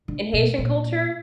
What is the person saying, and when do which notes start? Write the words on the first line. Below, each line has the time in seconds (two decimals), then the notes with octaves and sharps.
in Haitian culture,
0.08 D3
0.33 B2
0.58 A#2